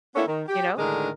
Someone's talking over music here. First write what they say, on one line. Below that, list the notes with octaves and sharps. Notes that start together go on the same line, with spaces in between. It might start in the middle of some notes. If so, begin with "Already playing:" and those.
you know?
A#3 B3 C#4 D4 E4 A4
D#3
G4
A2 D3 D#3 G#3 D4 A#4